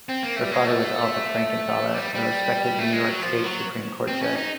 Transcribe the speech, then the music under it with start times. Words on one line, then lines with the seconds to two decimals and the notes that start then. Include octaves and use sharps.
Her father was Alfred Frankenthaler, a respected New York State Supreme Court judge.
0.09 C4
0.23 A#3
0.36 A3
0.45 G3
0.51 G#3
0.65 A3
1.94 G3
2.15 G3
2.79 A3
2.93 G#3
3.07 F#3
3.22 F3
3.44 F#3
4.08 C4
4.22 C#4
4.36 D#4